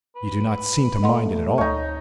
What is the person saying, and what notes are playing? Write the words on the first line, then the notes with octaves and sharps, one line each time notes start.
"You do not seem to mind it at all."
B4
A3 D#5 F#5 C6
D2 D#4 C#5